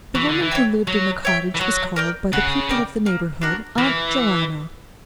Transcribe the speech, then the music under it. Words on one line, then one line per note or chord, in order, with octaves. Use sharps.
The woman who lived in the cottage was called by the people of the neighbourhood Aunt Joanna.
E3 F#4
D3
E3
C#5 E5 G5
F#3 F#4
C#5 E5 G5
E3
F#3 F#4
A#4 D5 G5
C#3 F#4
A#4 D5 G5
A#3
D4 F#4 A#4
E3 A#3